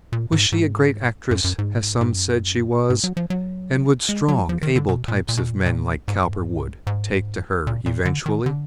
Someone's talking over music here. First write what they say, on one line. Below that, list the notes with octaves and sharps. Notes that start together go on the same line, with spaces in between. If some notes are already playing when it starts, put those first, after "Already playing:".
Was she a great actress, as some said she was, and would strong, able types of men like Cowperwood take to her--eventually?
A#2
G#2
G#2
F#2
F#2
G#2
G#2
F#2
G#2
F#3
F3
F#3
G#3
F#3
F3
D#3
D3
B2
A#2
A#2
B2
A#2
B2
A#2
G#2
F#2
G#2
G#2
A#2
A#2
D3
D#3
D3